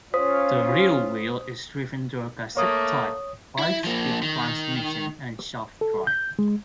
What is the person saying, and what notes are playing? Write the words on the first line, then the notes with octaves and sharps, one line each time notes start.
The rear wheel is driven through a cassette-type five-speed transmission and shaft drive.
C#4 F4 C5 C#5 D#6 B6
A3 A#3 C#5 D#6
E4
F3 A#3
D#3
A4
G6
G#3